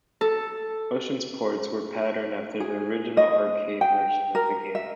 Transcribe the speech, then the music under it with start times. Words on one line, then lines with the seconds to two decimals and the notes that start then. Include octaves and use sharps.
Ocean's ports were patterned after the original arcade version of the game.
0.21 A4
2.60 G#4
3.17 D#5
3.81 G5
4.35 A#4
4.75 E5